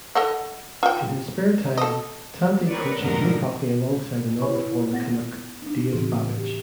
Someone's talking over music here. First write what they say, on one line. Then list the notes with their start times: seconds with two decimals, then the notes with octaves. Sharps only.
In his spare time, Tanti coaches youth hockey alongside another former Canuck Dave Babych.
0.15 A4 D#5 F#5
0.83 F4 G5
1.78 A4 D#5
2.67 C4 A#4 B4 C#5 D5
3.00 F2 G#2 B2 D3 A3 A#4
4.40 E4 B4 C#5 G#5 B5 C#6
4.61 A#2 E4
4.92 B3 F#5 A6 A#6
5.62 D4 D#4
5.92 A2 C#3 E3 C4 F#4 G#4
6.38 G4